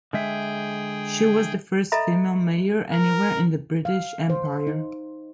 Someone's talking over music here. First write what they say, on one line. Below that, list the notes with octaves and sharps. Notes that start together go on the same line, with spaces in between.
She was the first female mayor anywhere in the British Empire.
D3 G#3 G#4 E5 G5
A4 D#5 E5 A#5 B5
A#4
F5
C5
D#4